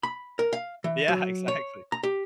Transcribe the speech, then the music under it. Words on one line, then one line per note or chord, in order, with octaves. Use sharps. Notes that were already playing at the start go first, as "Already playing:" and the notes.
Yeah, exactly.
B5
A#4
F5
E3
F#3
C#5
A#5
G4